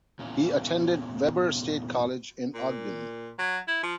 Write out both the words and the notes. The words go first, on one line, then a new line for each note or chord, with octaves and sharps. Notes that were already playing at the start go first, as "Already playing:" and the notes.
He attended Weber State College in Ogden.
E2 A#2 C#4
A#2
F#3
E4
F3